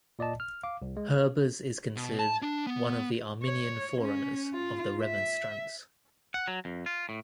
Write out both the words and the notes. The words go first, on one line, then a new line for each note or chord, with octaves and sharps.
Herbers is considered one of the Arminian forerunners of the Remonstrants.
A#2 D5 D#5 A5
F6
F5 D6
C2
G#3
B2
A5
D4
B3
C#5
C#4
F4
E5
F#5
F#3
F2
F4
A2